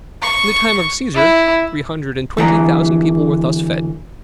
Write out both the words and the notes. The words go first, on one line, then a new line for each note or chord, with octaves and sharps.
In the time of Caesar, three hundred and twenty thousand people were thus fed.
C#6
E4
D2 E3 E5 A#5